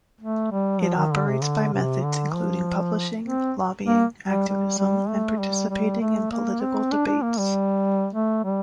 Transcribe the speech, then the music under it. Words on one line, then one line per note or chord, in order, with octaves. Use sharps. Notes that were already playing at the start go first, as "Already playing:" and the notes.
It operates by methods including publishing, lobbying, activism and participating in political debates.
A3
G3
F3
D#3
D3
C3
D3
C3
D3
F3
C4
A#3
G3
G3
G3
A3
G3
G3
A3
A#3
C4
D4
D4
A#3
G3
A3
G3